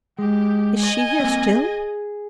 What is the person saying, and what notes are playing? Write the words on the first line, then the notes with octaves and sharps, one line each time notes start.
Is she here still?
G#3 G4
D#5 G#5
A#3 C4
G#4